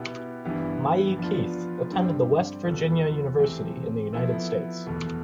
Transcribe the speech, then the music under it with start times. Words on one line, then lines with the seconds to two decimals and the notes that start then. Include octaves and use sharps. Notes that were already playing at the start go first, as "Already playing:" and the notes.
Mayi Kith attended the West Virginia University in the United States.
Already playing: B2 B3 E4 G4
0.45 G2 E3 B3 E4 G4
1.18 F3 B3 D4 F4
1.91 G2 D3 G3 C4 G4
2.65 E2 B2 B3 F4 A4
3.39 E3 A3 C4 G4
4.13 F3 B3 E4 A4
4.86 E2 B2 A3